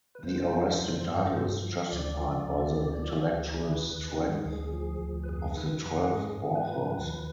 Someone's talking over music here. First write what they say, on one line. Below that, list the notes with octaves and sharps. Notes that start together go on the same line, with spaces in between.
The arresting title is justified by the intellectual strength of the twelve authors.
B4
F2 C5
F3
F2
G2
G2
F3
D2 D5
F3
D2
D2
F3
D2
D#2 B4
D#2
D#3
D2 G#4
F3
D2
B4
F2 G#4
D#3 B4
F2 B4
G#2 G#4
G#2
B4
F3
D#2